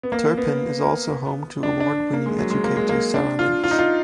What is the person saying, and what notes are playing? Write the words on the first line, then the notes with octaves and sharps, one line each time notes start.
Turpin is also home to award winning educator Sarah Lynch.
B3
A#3
B3
D4
D4
A#3
G#3
F#3
G#3
A#3
G#3
A#3
D4
F4
F4
D#4
F4